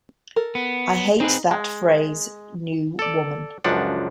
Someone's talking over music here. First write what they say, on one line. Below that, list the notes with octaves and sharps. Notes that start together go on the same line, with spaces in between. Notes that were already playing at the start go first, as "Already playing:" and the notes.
I hate that phrase New Woman.
A4 A#4
B3
C4 D#4 G#4 B4
G#3
A4 D5
C#2 F#2 F3 D4 F#5